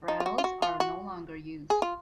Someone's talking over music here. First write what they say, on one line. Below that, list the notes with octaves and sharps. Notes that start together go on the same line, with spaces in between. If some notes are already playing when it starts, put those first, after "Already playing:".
Rattles are no longer used.
D#4
F4
F#4
F4
F#4
F4
F#4
G#4
F4